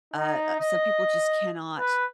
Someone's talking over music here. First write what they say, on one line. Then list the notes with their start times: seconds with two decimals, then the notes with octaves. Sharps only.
uh, some people just cannot
0.14 D#4
0.60 D#5
1.79 B4